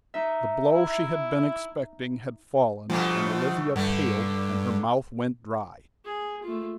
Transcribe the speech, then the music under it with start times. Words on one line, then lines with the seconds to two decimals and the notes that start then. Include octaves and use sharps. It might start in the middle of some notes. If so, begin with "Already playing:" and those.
The blow she had been expecting had fallen, and Olivia paled and her mouth went dry.
0.14 D#4 E5
0.73 E4
2.90 G2 B2 F3 A3
3.76 G2 D3 A3
6.05 G#4
6.43 A3 F4